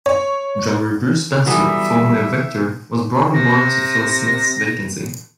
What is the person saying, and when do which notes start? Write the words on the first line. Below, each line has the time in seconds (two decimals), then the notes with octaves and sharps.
Drummer Bruce Spencer, formerly of Vector, was brought on board to fill Smith's vacancy.
0.06 C#5
1.46 E3 F#3 G3 B3 A4 E5
3.33 C3 A#6